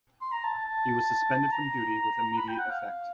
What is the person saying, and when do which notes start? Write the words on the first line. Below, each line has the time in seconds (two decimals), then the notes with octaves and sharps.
He was suspended from duty with immediate effect.
0.21 C6
0.32 A#5
0.44 A5
0.54 A5
0.65 A5
1.52 A#5
2.33 A#5
2.37 B5
2.48 G5
2.59 F#5
2.70 F5